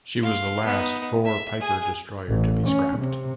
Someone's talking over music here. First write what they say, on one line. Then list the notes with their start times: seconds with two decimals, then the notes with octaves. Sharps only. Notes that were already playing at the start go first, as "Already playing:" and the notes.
She was the last "four piper" destroyer to be scrapped.
0.21 F5 C6
0.65 B3 D#4
1.25 E5
1.61 G#4 G#5
2.28 A1
2.68 C#4
2.99 C3